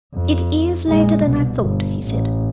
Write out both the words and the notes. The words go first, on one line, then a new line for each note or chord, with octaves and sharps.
"It is later than I thought," he said.
F2
A#1 G#3
C2 B2
G1
A1